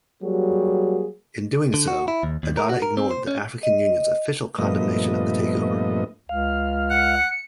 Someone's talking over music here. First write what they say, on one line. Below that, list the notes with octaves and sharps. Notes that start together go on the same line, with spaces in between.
In doing so, Adada ignored the African Union's official condemnation of the takeover.
F#3 G3 A#3 F#4 G#4
D3
F#4
E4
D#2
D#2
A#4
F#4
A#4
C4
C5
C#4
D#5
G2 A#2 F3 A3 B3 D#5
C#2 F5
F#5 C#7